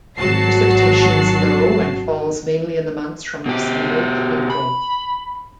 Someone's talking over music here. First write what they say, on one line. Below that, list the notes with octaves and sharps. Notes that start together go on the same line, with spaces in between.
Precipitation is low, and falls mainly in the months from December to April.
G#1 F#3 F#4 A5 C7
B2 G4
B5